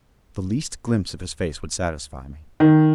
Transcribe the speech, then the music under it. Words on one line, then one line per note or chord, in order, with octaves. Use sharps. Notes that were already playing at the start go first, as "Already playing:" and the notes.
The least glimpse of his face would satisfy me.
D#3